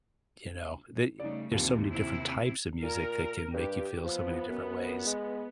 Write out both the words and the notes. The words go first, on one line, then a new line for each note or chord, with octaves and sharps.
you know? Th there's so many different types of music that can make you feel so many different ways.
C#3 G3 A3 D#4 D5
D#2 C3 E3 G3 F4
C3 C4 E4
A#2 A#4
G2 G4
F3 B3
F#2
G#3